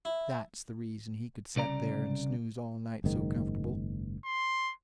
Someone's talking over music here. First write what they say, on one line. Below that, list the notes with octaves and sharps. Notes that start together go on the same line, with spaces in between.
THAT'S the reason he could set there and snooze all night so comfortable.
E4
C2 C#3 D5 A#5
F#1 G#2 D#3
C6